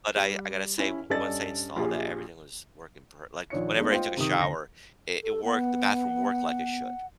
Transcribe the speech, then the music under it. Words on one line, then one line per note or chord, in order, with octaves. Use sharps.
but I I gotta say, once I installed that, everything was working per like, whenever I took a shower, it it worked. The bathroom worked like it should.
G3
C#4 E4
G2 C#4 A4 D5 D#5 A6
A#1 F4 G4 G#4
A#1 D#3 D4 C#5 C#7
G#3 A3 B3 D4 D#4
F4 C5 D#5 G5
C3 D#3 D#6
D2 A#6
A4
B3 F#5